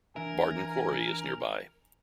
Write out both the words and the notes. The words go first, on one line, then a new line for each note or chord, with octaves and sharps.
Bardon Quarry is nearby.
E3 D4 A#4 E5 G#5